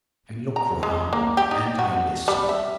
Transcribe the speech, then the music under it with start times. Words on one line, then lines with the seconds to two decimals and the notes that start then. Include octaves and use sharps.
I look round and I listen.
0.56 A#5
0.83 G#3
1.13 A#3
1.37 G4
1.51 D#4
1.79 F#4
2.28 G3
2.49 E5